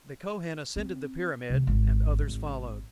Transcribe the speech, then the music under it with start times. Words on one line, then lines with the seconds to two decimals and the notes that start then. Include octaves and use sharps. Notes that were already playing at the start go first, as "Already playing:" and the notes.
The Kohen ascended the pyramid, and others followed.
0.76 C4
1.50 C3 G#3
1.67 G#1 G#3
2.27 G#1